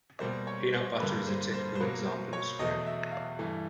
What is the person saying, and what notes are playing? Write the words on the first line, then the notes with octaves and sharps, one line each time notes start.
Peanut butter is a typical example of spread.
B2 G3 A#3 C5
C#5
C5
G2 D3 G3 A#3 B4
C5
C5
C5
B2 F#3 A#3 B4
C5
C#5
E2 B2 F#3 A3 D#5
E5
F5
G2 E3 A3